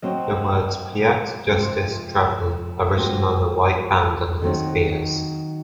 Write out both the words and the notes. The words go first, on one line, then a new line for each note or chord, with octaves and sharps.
The words "Paix, Justice, Travail" are written on a white band under the spears.
F#3 C4 F#4 C5 D#5
F2 C3 F3 G#3
F3 G#3 C4 F#4
D#3 F#3 C4